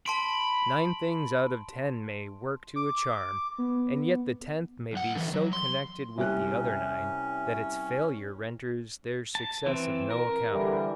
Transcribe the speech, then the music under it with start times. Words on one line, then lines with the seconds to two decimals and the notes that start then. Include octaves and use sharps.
Nine things out of ten may work to a charm, and yet the tenth may be so connected with the other nine, that its failure renders their success of no account.
0.06 A5 B5 C6 D7
2.76 D6
3.58 B3
4.93 B1 F#5
5.15 D3 E3
5.33 F#3
5.53 C6
6.18 C2 C#4 G4 F#6
9.35 A5
9.66 E3 C4
10.10 A#4
10.51 D3 E3 G3